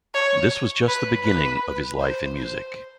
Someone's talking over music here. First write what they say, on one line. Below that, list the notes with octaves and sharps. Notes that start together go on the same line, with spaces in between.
This was just the beginning of his life in music.
C#5
B4
B4
C5
C5